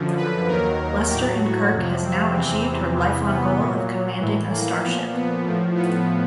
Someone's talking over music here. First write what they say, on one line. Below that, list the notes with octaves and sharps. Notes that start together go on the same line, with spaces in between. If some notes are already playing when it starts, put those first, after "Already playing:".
Lester-in-Kirk has now achieved her lifelong goal of commanding a starship.
Already playing: F#2 D3 F3
B4
D#2 D#3 F#3 A#4
A2 F#3 G4
F#4
F2 C3 F3
C4
E2 C3 E3 C4
E2 C3 E3 B3
B3
A#2 F#3
A2 E3
A#3
A#2 F3 B3
B3
A2 F3
B3